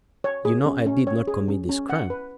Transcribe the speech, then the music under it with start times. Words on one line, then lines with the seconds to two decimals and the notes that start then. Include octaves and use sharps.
"You know I did not commit this crime."
0.24 C#5
0.45 G#4
0.66 C#4
0.86 C#4
1.07 C#5
1.27 G#4
1.48 C#4
1.69 C#4
1.90 F#5
2.10 B4